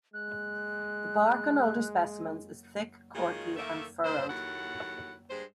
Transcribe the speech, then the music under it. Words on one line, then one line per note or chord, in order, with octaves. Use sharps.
The bark on older specimens is thick, corky and furrowed.
G#3 F#6
D#3 F#3 G#3 F4 G#4
D#3 A3 A#3 E5
A2 D4 C5
D#2 F#3 E4 A4 F#5
G2 G#3 C5